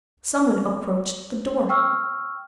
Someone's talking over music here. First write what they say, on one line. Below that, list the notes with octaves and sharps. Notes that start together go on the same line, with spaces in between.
Some one approached the door.
G5 C#6 E6 F6